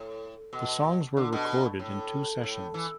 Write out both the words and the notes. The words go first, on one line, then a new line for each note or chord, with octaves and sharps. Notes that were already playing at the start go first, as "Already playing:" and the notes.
The songs were recorded in two sessions.
Already playing: A2
B2
D3
B2
A2
A2
E3